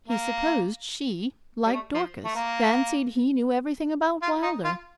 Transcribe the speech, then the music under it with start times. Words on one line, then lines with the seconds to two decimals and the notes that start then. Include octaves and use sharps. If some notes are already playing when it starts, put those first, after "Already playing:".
He supposed she, like Dorcas, fancied he knew everything about Wylder.
0.08 A#3
1.66 G3
1.74 A3
1.94 F3
2.24 A3
2.35 A#3
4.22 F4
4.42 D#4
4.64 F4